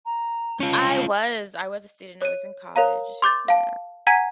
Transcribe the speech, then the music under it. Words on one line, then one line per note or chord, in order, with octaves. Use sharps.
I was, I was a student, I was in college. Yeah.
A#5
C#4 F4 A5
C#5 D#7
A#4 C#5 F5 A#5
C6 D6 G6 A6
F5 A5
F#5 G#5 A#5 G#6 B6 D#7